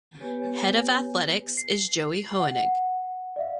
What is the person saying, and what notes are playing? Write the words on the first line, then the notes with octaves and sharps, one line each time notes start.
Head of athletics is Joey Hoenig.
B3 G4 B4 C#5 G#5
C7
F#5
D5 E5 F5